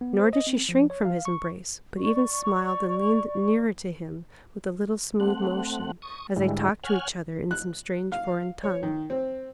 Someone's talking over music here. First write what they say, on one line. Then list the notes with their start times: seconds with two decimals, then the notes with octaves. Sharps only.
Nor did she shrink from his embrace, but even smiled and leaned nearer to him with a little smooth motion, as they talked to each other in some strange, foreign tongue.
0.01 B3
0.19 C5
0.33 D#5
0.47 C4
0.69 F3
0.90 C#5
1.05 F5
1.25 C#6
1.98 D5 C#6
5.20 A3 C4 F#5
6.02 C#6 D#6
6.36 G#2 D3 G3 G#3 E4
6.84 C#5 F#5 G#5 F6
7.51 F#6
8.12 F5
8.64 C#5
8.83 D#3
9.10 C4